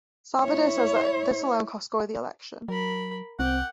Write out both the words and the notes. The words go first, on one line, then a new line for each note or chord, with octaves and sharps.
Salvado says that this alone cost Gore the election.
E4 C#5
F#3 A#4 B5
C2 C4 F#5 G5 D6